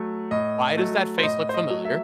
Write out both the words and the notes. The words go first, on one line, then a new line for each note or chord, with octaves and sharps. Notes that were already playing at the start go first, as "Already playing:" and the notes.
"Why does that face look familiar?"
Already playing: F#3 A3
A2 D#5
F#3 A3
C5
A2 D#5
C5
D#5
F#3 A3
E5